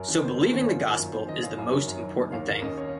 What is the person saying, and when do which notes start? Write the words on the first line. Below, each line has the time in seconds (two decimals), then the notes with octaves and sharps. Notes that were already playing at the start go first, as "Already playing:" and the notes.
So believing the gospel is the most important thing.
Already playing: F#2 A#4
0.08 D#3
0.23 D#3 C5
0.38 A#3
0.47 C5
0.53 D#3 C#5
0.68 F4
0.83 A#3
0.99 F#2
1.12 D#3 C5
1.27 D#3 D#5
1.43 F#2 F5
1.57 F#2 F5
1.72 D#3 C#5
1.87 F#2
2.03 F#2
2.17 A#3
2.32 D#2 F5
2.47 D#3 F5
2.62 C#4 D#5
2.77 C#5